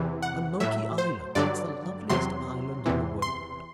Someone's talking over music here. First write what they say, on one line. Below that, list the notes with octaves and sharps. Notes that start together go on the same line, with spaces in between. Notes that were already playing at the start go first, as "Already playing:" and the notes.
"On Monkey Island; it's the loveliest island in the world."
Already playing: E2 C3 E3
F#5
A2 F#3 E5
C5
G2 D3 F#3 D5
E2 C3 F#3 C6
E2 C3 E3
C6